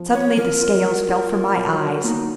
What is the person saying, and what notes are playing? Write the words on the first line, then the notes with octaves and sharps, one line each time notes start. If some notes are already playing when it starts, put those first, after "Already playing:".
Suddenly the scales fell from my eyes.
Already playing: F3
C4 C#5
F3 A#4
F4
F#3
F4
F4
F#3
F#3
A#3 D#4 F4